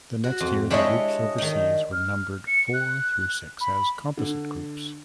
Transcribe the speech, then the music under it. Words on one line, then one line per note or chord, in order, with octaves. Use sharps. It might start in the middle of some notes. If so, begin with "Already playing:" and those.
The next year the groups overseas were numbered four through six as "composite" groups.
F#4
F2
G#3 D4 E4 G4 C#5 D#5
D#3 D#4
F6
C#7
F#6
B5
D3